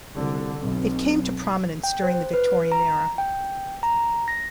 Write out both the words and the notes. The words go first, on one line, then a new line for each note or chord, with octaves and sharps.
It came to prominence during the Victorian era.
C2 D3
B1 C4
G5
C5
B4
A#5
G5
A#5
A#6